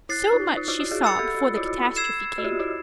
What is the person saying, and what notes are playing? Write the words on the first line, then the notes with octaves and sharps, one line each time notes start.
So much she saw before the catastrophe came.
E4 F#6 A6 C7
D#4 F4
D#4 F4
E4 F#4
E4 F#4
F#4 G#4
G#4 A#4 B5 E6 A6 C#7
G4 A4
F#4
F4
E4 F#4
E6 G#6 C7 E7
F#4
F4 G4
E4 F#4